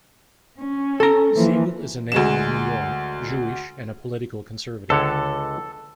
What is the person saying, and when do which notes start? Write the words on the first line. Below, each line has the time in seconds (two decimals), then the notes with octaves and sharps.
Siegel is a native of New York, Jewish and a political conservative.
0.58 C#4
1.00 A4 A#5
1.35 E3 F3 A#3
2.12 D2 G#3 E7
4.90 C#2 D3 A4 C#5